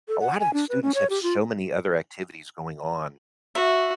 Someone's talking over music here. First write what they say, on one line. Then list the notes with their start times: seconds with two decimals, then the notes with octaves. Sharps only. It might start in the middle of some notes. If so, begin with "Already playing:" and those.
a lot of these students have so many other activities going on,
0.08 A4
0.20 F#5
0.39 G#5
0.53 D4
0.69 B4
0.83 C#4
0.95 C#5
1.10 G4
1.23 F4
3.55 F#4 E5